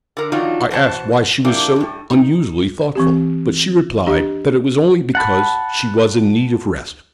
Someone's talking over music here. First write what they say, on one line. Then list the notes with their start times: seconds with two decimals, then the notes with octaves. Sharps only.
I asked why she was so unusually thoughtful, but she replied that it was only because she was in need of rest.
0.17 D3 A#4
0.32 D#3 F3 F#3 D4 D#4 F4
0.71 B2 E3 C5 F#5 A5
1.45 F3 A#3 D4 E4 G4
1.76 A2 G3
2.11 D#4
2.95 E3 C4 G4
4.07 D4 G4 D#5
5.15 F#5 A5 B5